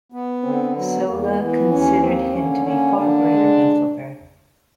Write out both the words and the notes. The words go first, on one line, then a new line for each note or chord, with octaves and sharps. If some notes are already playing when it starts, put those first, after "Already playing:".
Zola considered him to be far greater than Flaubert.
B3
D3 C4
F#3 B3
E2 A#3
E3 B3
D#2 C#4
A#3 C4
D3 C#4
A#3 C#4
D3 D4
G#3